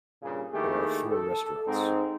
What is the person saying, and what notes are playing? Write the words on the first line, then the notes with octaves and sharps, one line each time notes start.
There are four restaurants.
G2 A#2 C#3
D#3 A3 A#3 E4 G4 G#4
A4
G#2 C4 D#4